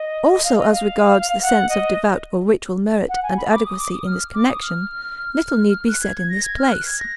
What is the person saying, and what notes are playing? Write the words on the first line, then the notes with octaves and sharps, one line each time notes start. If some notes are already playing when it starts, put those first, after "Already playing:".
Also as regards the sense of devout or ritual merit and adequacy in this connection, little need be said in this place.
Already playing: D#5
D#5
F5
D#5
F5
F#5
D#5
F#5
G#5
B5
D6
D#6
D6
D#6
F6
D6
D#6
F6
F#6
G#6
G#6
A#6
G#6
F6
F#6
G#6
A#6